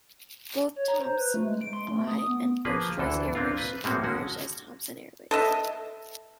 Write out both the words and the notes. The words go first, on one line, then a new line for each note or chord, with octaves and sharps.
Both Thomsonfly and First Choice Airways would be merged as Thomson Airways.
C#5
A#5
C5
B4
A3
G#3
D7
C6
A3
D#6
B3
F3 A#3 G#4 B4
D2 D3 E3 A4
A#3 C4 D4 F4
B4
A2 G3 G#3 A#3 C4 F#4
D3 G#3 C#4 F#4
A4 D#5 E5